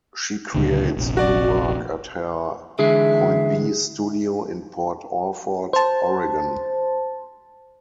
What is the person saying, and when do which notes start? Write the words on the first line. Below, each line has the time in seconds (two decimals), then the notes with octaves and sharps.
She creates new work at her Point B Studio in Port Orford, Oregon.
0.55 C#2 A#2 D3
0.97 F1 A#1 F2
1.17 F#4 D5
2.79 D3 E3 G#3 G#4 E5
5.73 C5 A5